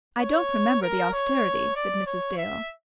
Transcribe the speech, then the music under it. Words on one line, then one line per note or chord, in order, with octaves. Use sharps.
"I don't remember the austerity," said Mrs. Dale.
C#5
A#4
C#5
D5
C#5
E5